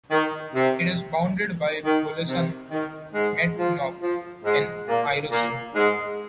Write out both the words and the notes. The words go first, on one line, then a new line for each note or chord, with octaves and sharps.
It is bounded by Bulusan, Matnog and Irosin.
D#3
C3
D#3
C3
D#3
G#2 G#3
F3
F3
G#2 G#3
A#2 A#3
A#2 A#3
G#2 G#3